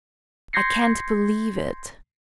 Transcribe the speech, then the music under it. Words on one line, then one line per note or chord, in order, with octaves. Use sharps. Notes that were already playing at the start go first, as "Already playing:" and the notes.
I can't believe it!
C6 G6 G#6 A#6 C7 C#7